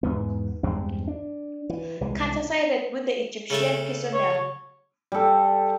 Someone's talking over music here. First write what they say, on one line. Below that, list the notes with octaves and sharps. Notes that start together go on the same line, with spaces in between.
Carter sided with the Egyptian personnel.
E2 G#2 B3
E2 G2 G#3 C4
D4
E3
C2 E3 G#3
C#3 A3 A5
C#5
G3 A4